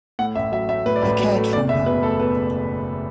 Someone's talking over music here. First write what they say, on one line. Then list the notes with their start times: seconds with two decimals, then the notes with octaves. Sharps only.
He cared for her.
0.19 A2 F#5
0.35 A1 E5
0.52 F#3 E5
0.69 A3 E5
0.86 A2 B4
0.96 D5
1.02 A1 B4
1.19 F#3
1.36 A3
1.52 E2 D5
1.69 F#1 E5
1.86 B2 B4
2.03 A3 A4
2.19 E2 B4